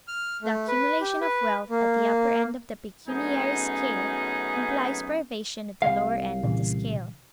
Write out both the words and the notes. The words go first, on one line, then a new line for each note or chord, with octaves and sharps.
The accumulation of wealth at the upper end of the pecuniary scale implies privation at the lower end of the scale.
F6
A3
B4
G4
B4
A#3
F#2 A3 B3 C#4 D#4 G#4
C2 F5
A#2 C#3 E3